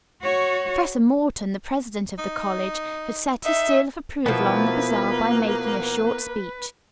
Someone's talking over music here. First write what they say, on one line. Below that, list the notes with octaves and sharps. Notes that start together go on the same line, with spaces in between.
Professor Morton, the president of the college, had set his seal of approval on the bazaar by making a short speech.
F#4 C#5
D#4
D#4 E5
B2 F3 A#3 B3 E4 B4